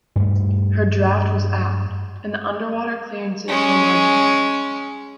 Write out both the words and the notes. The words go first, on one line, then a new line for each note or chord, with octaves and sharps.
Her draft was aft and the underwater clearances were marginal.
G2 A3
G#3 C#4